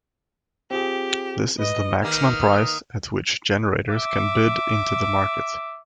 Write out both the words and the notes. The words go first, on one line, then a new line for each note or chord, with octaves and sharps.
This is the maximum price at which generators can bid into the market.
C4 F4 G4 G#4
B4 D#5
D#3 A#3 F6
E5 D6